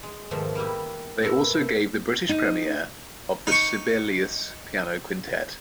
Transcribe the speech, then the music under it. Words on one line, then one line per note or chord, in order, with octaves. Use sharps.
They also gave the British premiere of the Sibelius piano quintet.
G#3
G#2 B2 D#3 F3 A3
G3 A#3 E4 G4
A#2 A3 B3 A4
E5
D#4
D#4 C#6